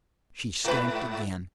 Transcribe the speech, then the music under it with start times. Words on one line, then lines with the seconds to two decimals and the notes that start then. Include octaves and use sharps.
She stamped again.
0.64 G#2 B4